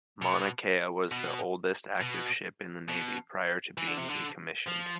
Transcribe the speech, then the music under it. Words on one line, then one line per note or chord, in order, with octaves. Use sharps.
"Mauna Kea" was the oldest active ship in the Navy prior to being decommissioned.
B2
B2
B2
B2
E3
D3
C3
D3
F3